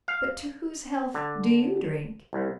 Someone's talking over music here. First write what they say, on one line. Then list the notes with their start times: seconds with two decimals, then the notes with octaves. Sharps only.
But to whose health do you drink?'
0.08 F5
1.14 D3
2.33 C2